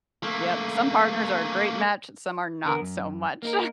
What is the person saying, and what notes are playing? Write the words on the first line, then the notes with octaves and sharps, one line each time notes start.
Yep, some partners are a great match, some are not so much.
A3 A#3
E2 D3 B3 A#4
F#2
A#3 D#4 A#4